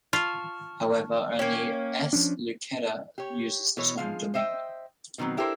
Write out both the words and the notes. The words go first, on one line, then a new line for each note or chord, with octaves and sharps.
However, only S. Luketa uses the term dominion.
F4 A5 C#6 F6
A#3 C#4 C#5 G5
F3 C#4 D4
G4 C#5
B2 E3 C#5
F3 G#3 F5
C5 D#5 E5 G5
B2 D#3 E3 F#3 C4
D4 E4 G4 A4 A#4 C5